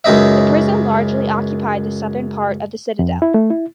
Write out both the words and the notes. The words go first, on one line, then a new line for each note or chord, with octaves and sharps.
The prison largely occupied the southern part of the citadel.
C#2 F#2 D#4 D#5 E5
F2
E4
A3
E4